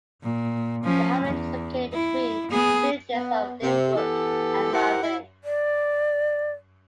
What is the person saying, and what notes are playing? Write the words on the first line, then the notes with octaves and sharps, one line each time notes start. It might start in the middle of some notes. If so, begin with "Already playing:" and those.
The hamlet is located between the Villages of Lynbrook and Malverne.
A#2
F3 C#4
E2
E4
B3 G#4
B3
C3
E3 B3 G4 A4
E4 G4 A#4 C5 F#5
E4
D5